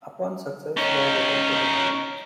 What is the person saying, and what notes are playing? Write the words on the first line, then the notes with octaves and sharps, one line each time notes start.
Upon success, they are returned to the present.
C#4 D#4